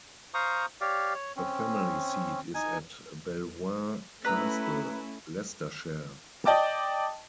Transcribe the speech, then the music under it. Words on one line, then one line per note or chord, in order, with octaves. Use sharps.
The family seat is at Belvoir Castle, Leicestershire.
C5 F5 A#5 C#6 D#6
G4 C#5 D5 F5
C#5
C4 C#4
D#4 G#5
A3 C#4 E4 B4 A#5 E6
D5 D#5 G5 A5 D6